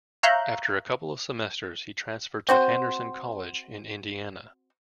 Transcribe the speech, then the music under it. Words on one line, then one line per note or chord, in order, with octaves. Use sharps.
After a couple of semesters he transferred to Anderson College in Indiana.
C#5 E5 F5 A#5 F#6 G6
C4 F#4 C5